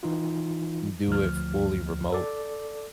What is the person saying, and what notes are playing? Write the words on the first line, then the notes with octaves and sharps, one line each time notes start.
do it fully remote.
E3 D#4 F4
D2 F3 F6
A4 D5